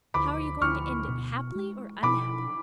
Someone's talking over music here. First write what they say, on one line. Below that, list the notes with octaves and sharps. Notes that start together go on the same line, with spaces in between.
"How are you going to end it--happily or unhappily?"
D2 B5 D6
D2 C#6 F6
B2
G#3
B2 B5 D6